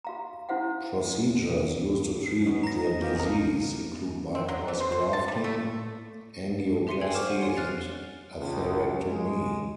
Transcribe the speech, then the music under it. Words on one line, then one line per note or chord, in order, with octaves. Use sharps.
Procedures used to treat the disease include bypass grafting, angioplasty, and atherectomy.
F#4 F5 A#5
C#4 E4 F#4 C5 F5 F#5
B3 C#4 D#5
A#5 A#6
D#4
B3 C#4 F4 G4 A#4 F5
A1 B2 D#3 G4 G#4 A#4
C4
F#3
E3
C5
C5
A5
G3
A3
G4 E5 C6 C7 C#7 D#7
G#4 A4 G5 G#5 G#6
C5 C#6 D6 F6 E7
F5 F#5 D#7
C#5 D5 G#5 C6
F6 F#6 A6 C7 F7
C#2
G#3